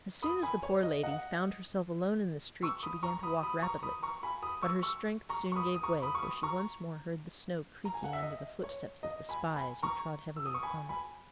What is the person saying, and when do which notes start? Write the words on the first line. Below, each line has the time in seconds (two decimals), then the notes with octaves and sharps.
As soon as the poor lady found herself alone in the street she began to walk rapidly; but her strength soon gave way, for she once more heard the snow creaking under the footsteps of the spy as he trod heavily upon it.
0.23 B5 D#6
0.43 G#5 B5
0.63 C#5
0.83 D#5
1.03 D#5 F#5
2.62 C#6 E6
2.83 B5 D#6
3.03 A#5 C#6
3.23 B5 D#6
3.43 B5 D#6
3.62 A#5 C#6
3.83 B5 D#6
4.03 A#5 C#6
4.23 G#5 B5
4.42 B5 D#6
4.62 C#6 E6
4.83 C#6 E6
5.29 A#5 C#6
5.52 C#6
5.56 B5 D#6
5.74 D#6
5.83 A#5 C#6
6.02 B5 D#6
6.15 C#6
6.22 B5 D#6
6.43 A#5 C#6
7.85 A#5
7.94 G#5
8.04 F#5
8.13 E5
8.23 D#5
8.63 C#5
9.03 D#5
9.29 G#5 B5
9.56 G#5 B5
9.83 A#5 C#6
10.36 E6
10.46 D#6
10.54 C#6
10.63 G#5 B5
10.89 G#5 B5